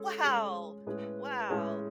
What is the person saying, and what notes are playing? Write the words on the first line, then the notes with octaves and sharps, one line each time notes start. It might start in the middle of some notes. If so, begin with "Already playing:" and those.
Wow! Wow!
Already playing: G#3 C#4 A4
G#3 C#4 G#4
A2 G#3 C#4 G#4 B4
A2 G#3 C#4 G#4